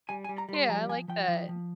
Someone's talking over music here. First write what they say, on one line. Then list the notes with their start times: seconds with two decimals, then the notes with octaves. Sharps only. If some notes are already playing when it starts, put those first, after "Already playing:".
Yeah, I like that.
0.09 G3 G#5
0.24 G#5
0.29 G3
0.38 A#5
0.49 G3
0.54 C6
0.69 F3 A#5
0.89 F3 G#5
1.08 F3 G5
1.28 F3
1.49 F3